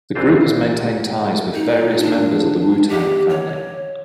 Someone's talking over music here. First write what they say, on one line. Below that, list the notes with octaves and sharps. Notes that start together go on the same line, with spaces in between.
The group has maintained ties with various members of the Wu-Tang Family.
C2 E3 C4 D4 F4 C5
D#4
D4
G4
C#5